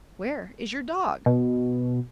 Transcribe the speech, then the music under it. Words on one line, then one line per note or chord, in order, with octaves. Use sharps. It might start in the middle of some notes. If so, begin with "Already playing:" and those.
"Where is your dog?"
B2